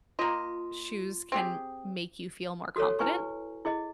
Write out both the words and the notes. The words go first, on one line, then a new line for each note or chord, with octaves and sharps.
shoes can make you feel more confident
A#3 F4 D#5 C6
C4 G4 G#4
F#4 A4 C#5
E4 B4 G#5 C#6
E4 G#4 D#5